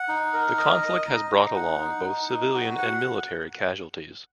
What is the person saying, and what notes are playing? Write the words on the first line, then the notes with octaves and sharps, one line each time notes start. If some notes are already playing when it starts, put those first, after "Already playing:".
The conflict has brought along both civilian and military casualties.
Already playing: F#5
D#4
A#4
D#5
D#5
D#4
D#4
F#5
D#4
D#4
D#4
F#4
F#5